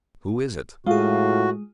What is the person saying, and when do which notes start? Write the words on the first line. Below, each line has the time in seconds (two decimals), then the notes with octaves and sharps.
"Who is it?"
0.86 A2 G#3 F4 F#4 G#4